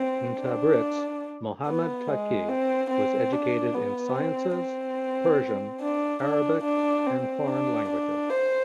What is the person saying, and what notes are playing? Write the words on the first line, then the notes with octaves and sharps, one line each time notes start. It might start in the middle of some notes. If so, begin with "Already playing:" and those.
In Tabriz Mohammad Taqi was educated in sciences, Persian, Arabic and foreign languages.
Already playing: C4
D4
B3
G#3
C4
C4
D4
B3
C4
C4
D4
D4
D4
C4
D4
D4
C5